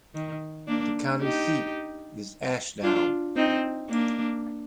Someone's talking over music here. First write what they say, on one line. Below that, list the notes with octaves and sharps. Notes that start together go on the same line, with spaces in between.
The county seat is Ashdown.
D#3
A#3 D4
D#4 G4
D4 F4
C4 D#4
A#3 D4